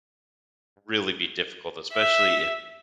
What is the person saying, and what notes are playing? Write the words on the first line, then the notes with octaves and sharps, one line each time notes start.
really be difficult, especially if,
E5